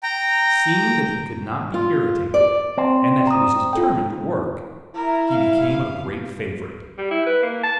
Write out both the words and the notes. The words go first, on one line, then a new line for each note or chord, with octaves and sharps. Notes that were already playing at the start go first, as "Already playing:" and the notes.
Seeing that he could not be irritated, and that he was determined to work, he became a great favorite.
G5 A#5
F4
D5
C4
A#5 D#6
F4 A4 G5
E4 A#4
F5
G3
E4
B4
A#3
A5